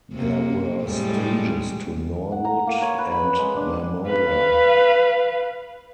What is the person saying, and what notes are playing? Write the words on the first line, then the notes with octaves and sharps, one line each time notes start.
There were stages to Norwood and Marmora.
C3 A#3
A2 G3 G#3
F#5
A#5
A#3
C#5
B4
B5
G#3
D4
B4 F5